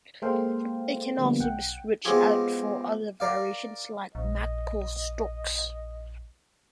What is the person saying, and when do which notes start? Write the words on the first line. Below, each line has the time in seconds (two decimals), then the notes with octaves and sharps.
It can also be switched out for other variations like Magpul stocks.
0.22 G#3 A#3 A4 C5 F5 G5
1.18 D3 F3 G3 A#3 B3
1.40 B1 F#5 G5
2.05 G#3 B3 C4 F4 G4 G#4
3.20 A#4 D5 F5
4.15 A#1 D#5